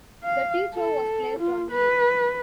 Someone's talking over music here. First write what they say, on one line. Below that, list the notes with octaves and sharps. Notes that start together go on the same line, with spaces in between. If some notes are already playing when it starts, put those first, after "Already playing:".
The teacher was placed on leave.
F5
A4
F4
B4